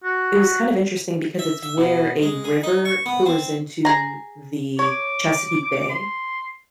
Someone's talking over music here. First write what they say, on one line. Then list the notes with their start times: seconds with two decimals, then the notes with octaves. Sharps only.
it was kind of interesting because it's where a river pours into the Chesapeake Bay,
0.03 F#4
1.39 E5
1.63 E5
1.77 B2
2.22 G#3
2.44 G#4
2.63 D#4
2.85 C#6
3.06 B3
3.26 C4
3.85 G#4 A#5
4.79 C#5 D6
5.89 C6